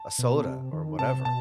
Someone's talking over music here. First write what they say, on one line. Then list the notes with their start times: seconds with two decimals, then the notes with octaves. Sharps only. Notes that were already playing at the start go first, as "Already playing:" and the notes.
a soda or whatever.
Already playing: A5
0.19 B2
0.45 C3
0.73 D#3
0.99 C3 A5
1.25 B2 A5